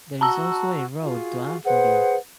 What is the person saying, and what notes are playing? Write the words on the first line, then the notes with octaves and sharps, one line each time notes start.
There is also a road to Amfreville.
F#4 A5 A#5 E6
F4 F#4 G#4 F5
G#4 B4 C5 F#5